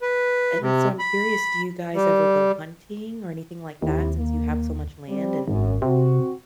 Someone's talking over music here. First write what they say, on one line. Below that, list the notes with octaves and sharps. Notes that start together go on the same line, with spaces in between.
And so, I'm curious, do you guys ever go hunting or anything like that since you have so much land and
B4
C3
B5
G3
D#2 C4 E4 G4
A#3
G3 C4
G#1 F#2
C3 C4 F#4